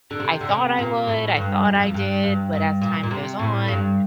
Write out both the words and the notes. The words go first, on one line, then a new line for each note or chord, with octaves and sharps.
"I thought I would. I thought I did." But as time goes on,
D3
C3
D3
C3
A#2
A2
G2
F2
G2
F2
G2
G2
G2
A#2
A#2
C3
A2
G2